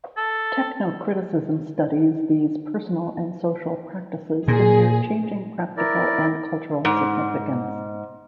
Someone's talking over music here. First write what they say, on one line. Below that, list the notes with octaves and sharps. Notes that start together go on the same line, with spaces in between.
Technocriticism studies these personal and social practices in their changing practical and cultural significance.
A4
A#2 G#4
E4 A#4 D5
G#2